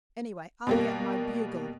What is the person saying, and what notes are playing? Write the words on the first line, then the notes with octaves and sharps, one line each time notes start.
Anyway, I'll get my bugle.
B2 G3 A#3